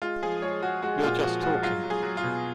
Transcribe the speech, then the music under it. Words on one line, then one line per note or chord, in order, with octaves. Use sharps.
You’re just talking.
G#3 F4
F3 G#4
G#3 C#5
G#3 F#4
G#3 F#4
A#2 F4
F3 F#4
G#3 F#4
F#3 F4
F#3
G#4
F#3
F4
B2